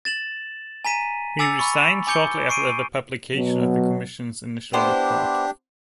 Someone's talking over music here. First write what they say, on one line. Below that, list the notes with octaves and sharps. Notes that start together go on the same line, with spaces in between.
He resigned shortly after the publication of the Commission's initial report.
A6 E7 F#7
G#5 A#5 B6 D#7
G#5 D6 E6 A6 C#7 F7
B5 C#6
G#5 D6 G6 C#7 G7
C#6 C7 D7 D#7
B2 F#3
B3 D4 E4 G4 C5